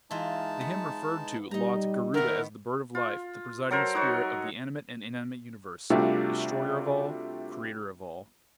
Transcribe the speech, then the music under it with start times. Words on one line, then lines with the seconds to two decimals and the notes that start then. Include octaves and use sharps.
The hymn referred to lauds Garuda as "the bird of life, the presiding spirit of the animate and inanimate universe ... destroyer of all, creator of all".
0.11 E3 G#3 D#4 F4 A5
0.61 B3
1.51 G3 D#4 A#5
2.14 D#3 B3 A#4 E5 F#5
2.95 F4
3.71 F#3 A4 A#4 C5
3.95 D#4 F#4 C#5
5.90 C3 G3 A3 D4 F4 F#4